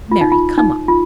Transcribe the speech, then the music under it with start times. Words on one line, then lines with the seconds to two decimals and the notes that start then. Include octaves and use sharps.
Marry, come up!
0.12 F4
0.21 D#4
0.32 F4
0.58 D#4
0.88 F4